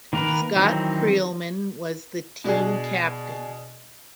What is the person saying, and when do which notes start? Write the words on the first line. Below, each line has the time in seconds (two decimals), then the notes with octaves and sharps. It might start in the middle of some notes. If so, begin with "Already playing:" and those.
Scott Creelman was the team captain.
0.13 D#3 A#3 A#4 B4
0.56 D#3 E3 F#3 C4 D#4
2.44 B2 D4 G#4